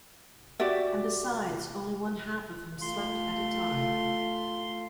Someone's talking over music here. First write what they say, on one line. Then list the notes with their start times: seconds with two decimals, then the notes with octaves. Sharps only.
And besides, only one half of him slept at a time.
0.60 F#4 G4 D5 E5
2.82 A3 F4 C6